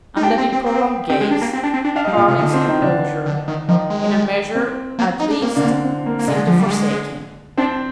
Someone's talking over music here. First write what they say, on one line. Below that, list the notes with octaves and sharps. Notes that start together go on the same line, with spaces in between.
Under the prolonged gaze, Carling's composure, in a measure at least, seemed to forsake him.
D#4
D4 G4 G5
C4
C4
C4
C4 G4 G5
G#3
D4
A#3
C4
D4
C4
D4
D4 F5
G3 D#5
F4 F5
A#2
C3
D3 D#4 D#5
C4 C5
D#3 D#4
D3 D4
D3
D#3
D#3 F3 D#4
G#3
C4
A#3
D#4
D4
A#3 C4
D3 D4
C4
C4
A#3
A#3
D3 G#3 D4
F3
G3
G#3
C4 D4 C5